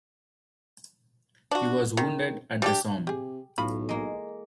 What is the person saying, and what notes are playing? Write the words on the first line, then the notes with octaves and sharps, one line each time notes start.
He was wounded at the Somme.
D4 F#4
D#3
G3 D4 G4
C3 G4 G#4
B1 A2 F4 B5
G#3 A#3